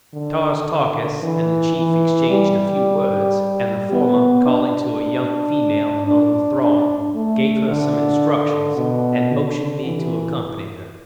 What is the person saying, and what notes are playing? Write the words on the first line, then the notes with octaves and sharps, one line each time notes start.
Tars Tarkas and the chief exchanged a few words, and the former, calling to a young female among the throng, gave her some instructions and motioned me to accompany her.
D3
E3
E3
G3
B3
D4
D4
D4
A3
D3
B2
D3
E3